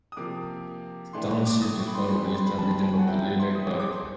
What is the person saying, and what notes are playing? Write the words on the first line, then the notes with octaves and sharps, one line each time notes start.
The township is part of the eastern region of the Lehigh Valley.
D#6
C3 F3 A#3 D6
A2 E3 A3 D4 C6
C#6
D6
D#6
C#6
B5
C6
E3 G#3 C4 C6
B5
C6
B5
A5
A5
G#5
F#5
F#3 B3 E4 G5
F#5
C6
D#6
D#6
D6
C6